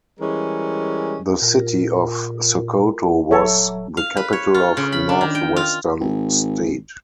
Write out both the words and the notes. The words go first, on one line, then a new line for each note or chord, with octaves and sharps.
The city of Sokoto was the capital of North-Western State.
E3 G3 G#3 C#4 A#4
A#2 F4 A#4
D#1 F#3 A4 C#5 E5 A#5
F5
B4
C#5
F4
C#3
B5
D4
D#3
G5
F4
G#1